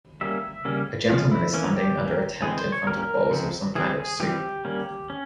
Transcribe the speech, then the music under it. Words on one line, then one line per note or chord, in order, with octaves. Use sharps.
A gentleman is standing under a tent in front of bowls of some kind of soup.
G3 A#3 C#4 E5
C#3 G3 A#3 C#4
F3 G#3 C#4 F4
E4
E3 A#3 C#4
G4
E3 A#3 C#4
E3 G#3 C4 G#4
C5
C#5
G3 A#3 C#4 A#4
C#3 F3 G#3 C4
E3 G3 C4 G#4
G#4
E3 G3 C4 G4
G3 A#3 C#4
C#4